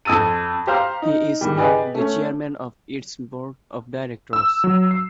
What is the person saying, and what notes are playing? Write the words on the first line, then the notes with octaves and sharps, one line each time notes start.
He is now the chairman of its board of directors.
F2 D#6 E6 A6 D#7
G4 C5 F5 A#5 F6
D#4
G#2 D#3 G3
G4 G#4 B4 D5 D#5 G#5
A3 C#4
E6
F#3
C7